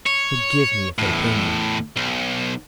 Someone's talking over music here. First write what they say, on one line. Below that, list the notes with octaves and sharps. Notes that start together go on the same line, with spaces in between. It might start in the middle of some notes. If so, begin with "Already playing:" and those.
Forgive me, if they pain you.
C#5
E2 A2
B1